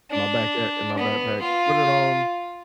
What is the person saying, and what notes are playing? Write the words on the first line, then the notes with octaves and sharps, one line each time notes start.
in my back a in my backpack, put it on,
D4
B3
F4